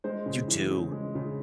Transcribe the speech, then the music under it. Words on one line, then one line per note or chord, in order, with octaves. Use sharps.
You do.
G#3 C5
C#3
E3
C#3
G#3
C#3